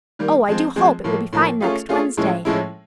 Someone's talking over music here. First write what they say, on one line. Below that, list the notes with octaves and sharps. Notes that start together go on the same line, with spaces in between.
Oh, I do hope it will be fine next Wednesday.
D#3 G3 A#3
F3 G#3 C4
F3 G#3 C4
A2 F3 A#3
A2 F3 A#3
A3 C#4 F4 G#4
A3 C#4 F4 G#4
A2 F3 G#3 C#4 E4
A2 F3 G#3 C#4 E4